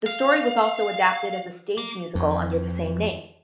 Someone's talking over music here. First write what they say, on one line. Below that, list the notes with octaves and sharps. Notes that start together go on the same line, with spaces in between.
The story was also adapted as a stage musical under the same name.
F5
A#3
F2